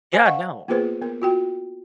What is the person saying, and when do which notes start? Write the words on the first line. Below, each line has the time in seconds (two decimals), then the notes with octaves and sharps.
Yeah, no.
0.13 C5 G#5
0.25 D#5 F5 F#5 C#6
0.68 A#3 B3 F4 G#4 B4 C5
1.02 B3 A#4
1.22 F4 F#4 G5